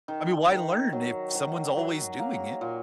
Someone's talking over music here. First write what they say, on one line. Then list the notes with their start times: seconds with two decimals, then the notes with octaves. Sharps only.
I mean, why learn if someone's always doing it?
0.08 D#3
0.50 D#3
0.93 F#3
1.35 F#3
1.77 F#3
2.19 A#3
2.61 A#2